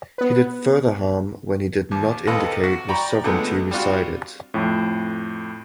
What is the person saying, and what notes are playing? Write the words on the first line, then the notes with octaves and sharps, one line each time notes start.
He did further harm when he did not indicate where sovereignty resided.
B3 B4
D#2
C2 C4 A4 B4 D#5 F5
F#4
D5 G5 A#5 B5 C#6
C#2 D3 G#3 A3 B3
G3 C4 D4 F4 F#4
F2 A2